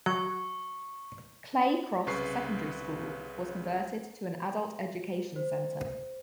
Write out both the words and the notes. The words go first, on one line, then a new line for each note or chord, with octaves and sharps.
Clay Cross Secondary School was converted to an adult education centre.
F#3 C#6
C2 C#3 B4 C#6 C7
C5